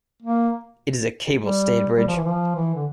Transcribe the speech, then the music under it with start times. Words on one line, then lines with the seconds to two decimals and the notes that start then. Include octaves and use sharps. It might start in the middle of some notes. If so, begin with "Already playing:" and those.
It is a cable-stayed bridge.
0.23 A#3
1.39 G3
1.97 G3
2.07 F3
2.16 E3
2.25 F3
2.55 E3
2.75 D3